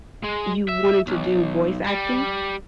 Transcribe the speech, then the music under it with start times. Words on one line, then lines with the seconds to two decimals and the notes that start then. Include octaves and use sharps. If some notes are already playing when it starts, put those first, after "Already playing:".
you wanted to do voice acting?
0.24 G#3
0.68 E5
1.07 B1
1.86 G3